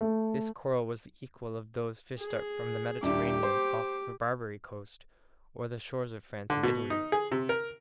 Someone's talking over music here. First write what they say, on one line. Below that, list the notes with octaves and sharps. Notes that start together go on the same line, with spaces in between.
This coral was the equal of those fished up from the Mediterranean off the Barbary Coast or the shores of France and Italy.
A3
G#4
D#1 D4 E4 G4 D6
C5
D3
B2
D#4
G#4
C3
A#4